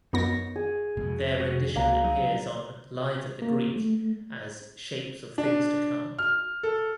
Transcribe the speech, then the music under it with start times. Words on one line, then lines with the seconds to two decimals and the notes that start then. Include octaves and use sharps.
Their rendition appears on "Live at the Greek" as "Shapes of Things to Come".
0.13 F#2 B3 D#4 A#4 C#5 A#6
0.56 G#4
0.97 F1 B2 G#3
1.40 F#4
1.76 C#2 A#3 F#4 F5 A#5
2.04 F#3 D#4 D#5
3.42 A#3
3.76 A3
5.38 D4
6.19 F6
6.63 A4